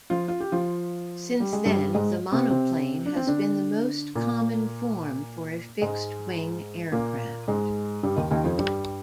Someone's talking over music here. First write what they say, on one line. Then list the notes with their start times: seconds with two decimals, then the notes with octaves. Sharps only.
Since then, the monoplane has been the most common form for a fixed-wing aircraft.
0.10 F3 F4
0.28 F4
0.40 G4
0.52 F3 F4
1.40 G3
1.53 G#3
1.65 G2 G3
1.95 G#2 G#3
2.32 C3 C4
2.50 C3 C4
3.06 D4
3.16 C4
3.27 D3 D4
4.15 A#2 A#3
5.82 G#2 G#3
6.92 A#2 A#3
7.48 G#2 G#3
8.03 G2 G3
8.16 D#2 D#3
8.31 D#2 D#3
8.44 F2 F3
8.58 G2 G3